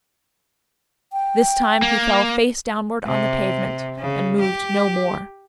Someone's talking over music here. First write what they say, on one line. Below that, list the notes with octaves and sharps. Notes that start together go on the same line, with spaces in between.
This time he fell face downward on the pavement, and moved no more.
G5
A#3
C3
C#3
G4